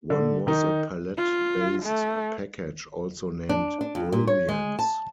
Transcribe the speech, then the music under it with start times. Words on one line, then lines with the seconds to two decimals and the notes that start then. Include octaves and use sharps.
One was a palette-based package also named "Brilliance".
0.10 D3
0.47 D#3 D#4
1.17 F4
1.83 A3
3.49 D4
3.81 D4
3.95 F2
4.12 A#2
4.27 C#5
4.49 G#3
4.79 A5